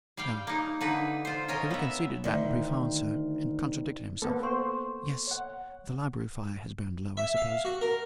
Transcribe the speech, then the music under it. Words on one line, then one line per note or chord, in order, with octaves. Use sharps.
"No." He reconsidered that brief answer, and contradicted himself. "Yes--the library fire has burned low, I suppose."
G3 F5 G5
A#3 D#4
D3 D#4 B4
F4 C5
C#4 A#4 D#5
B3 E5
D2 D#3
A#3 B3 A4
C5 C6 C#6
C#5 F#5
E5
F5
F#4
A#4